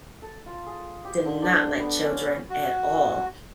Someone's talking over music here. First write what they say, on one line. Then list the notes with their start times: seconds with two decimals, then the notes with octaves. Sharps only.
did not like children at all.
0.22 A4
0.46 F4
0.66 G#4
1.05 G4
1.26 D3
1.42 D4
1.80 B3
2.04 C#4
2.50 F#4